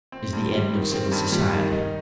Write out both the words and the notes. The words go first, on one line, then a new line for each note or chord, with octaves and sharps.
It is the end of civil society.
C4
G2
G3
D#3
C4
G2
G3
D#3
D#4